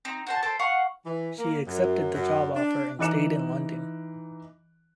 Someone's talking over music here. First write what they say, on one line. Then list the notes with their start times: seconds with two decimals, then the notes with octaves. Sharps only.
She accepted the job offer and stayed in London.
0.05 C4 D#4
0.27 F#4 C5 A5
0.43 A4 C5 G5 A5
0.59 F5 F#5 C#6
1.05 E3
1.38 A#3
1.66 F#2
2.13 F#2
2.55 D4
2.99 E3 D#4 D6 F#6 C#7 E7